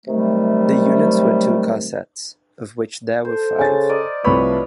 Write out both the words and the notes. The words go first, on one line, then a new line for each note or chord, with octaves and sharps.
The units were two-car sets, of which there were five.
C3 D#3 F#3 G3 A3
A4 C5
C#3 G#5 A6
A#4 D5 D#5
C2 F3 A3 B4 C#5 B5